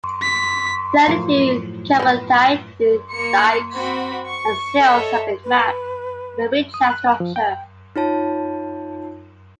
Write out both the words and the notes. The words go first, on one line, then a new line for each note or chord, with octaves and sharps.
Thirty-two carbonatite dikes and sills have been mapped within the Richat Structure.
B6
A2 F3 F#3 F4 A#4
B3 B4
A#3 C#7
C4 F#4 B5
C#6
A4 C#5 D#5 E5
B4
D#6
F#6
F3
G5
D#4 F4 C#5 A5